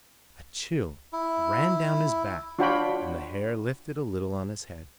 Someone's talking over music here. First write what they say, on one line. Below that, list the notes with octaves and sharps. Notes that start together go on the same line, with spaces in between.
A chill ran down his back and the hair lifted a little on his head.
E4
D4 F4 F#4 C#5 G5 B5